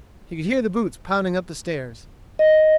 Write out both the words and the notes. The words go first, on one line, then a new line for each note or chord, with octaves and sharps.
He could hear the boots pounding up the stairs.
D#5